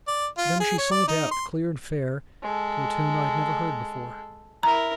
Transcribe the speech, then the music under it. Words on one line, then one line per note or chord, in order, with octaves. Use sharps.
Then she sung it out clear and fair to a tune I had never heard before.
D5
F4
G#4
C#5
D5
D#4
C6
G#3 A4
E4 A#4 A#5